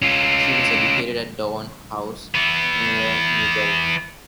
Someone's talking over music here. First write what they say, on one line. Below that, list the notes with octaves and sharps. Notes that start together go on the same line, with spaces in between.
She was educated at Downe House, near Newbury.
C#4 F4
E3 B3